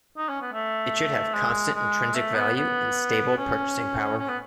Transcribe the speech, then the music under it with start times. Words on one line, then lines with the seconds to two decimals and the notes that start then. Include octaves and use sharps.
It should have constant intrinsic value and stable purchasing power.
0.17 D#4
0.29 C#4
0.42 B3
0.53 A3
1.34 G#3
1.75 G#3
2.15 A3
2.35 B3
2.55 B3
3.37 C#4
4.18 C#4
4.28 B3